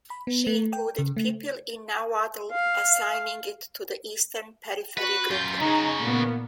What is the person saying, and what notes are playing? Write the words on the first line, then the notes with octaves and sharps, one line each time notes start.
She included Pipil in Nahuatl, assigning it to the Eastern Periphery grouping.
B5
B3
A3
G5
C#3
A3
F5
F#4 B4 F#6
F#2 F4 G6
C#3 D#4 F#4 G#4
A#2 A#3 B3